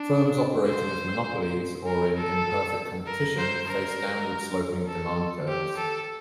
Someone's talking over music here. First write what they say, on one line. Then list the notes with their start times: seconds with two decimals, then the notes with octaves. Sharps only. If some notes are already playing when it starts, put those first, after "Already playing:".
Firms operating as monopolies or in imperfect competition face downward-sloping demand curves.
Already playing: D4
0.67 C5
1.86 A#4
2.17 A4
3.07 A#4
3.38 C5
3.67 A#4
4.87 A4
5.48 G4
5.77 A4